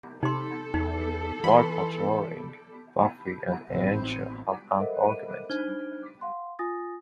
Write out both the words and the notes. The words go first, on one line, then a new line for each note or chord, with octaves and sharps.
While patrolling, Buffy and Angel have an argument.
C3 D#4 A4 C6
E2 D#4
E3 B5 C6
A1 C4
A4 A#4 C5 D#5 E5 F#5
D4 D#4 C5 F6 G#6 G7
F5 F#5 C6
F4 G#5 D#6 A6 A#6